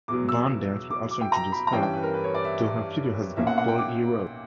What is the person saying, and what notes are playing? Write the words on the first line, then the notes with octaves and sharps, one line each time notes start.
"Barn Dance" also introduced her to her future husband, Paul E. Rose.
E2 B2 F#3 D6
E6
D6
D6
G5
A#5
B5
A#5
G2 E3 G3 C#4 G5
G5
B4
A#4
B4
C#5
D5
E5
B1 A#2 A#3 C#4 E5
F#5
F#5
G5
D6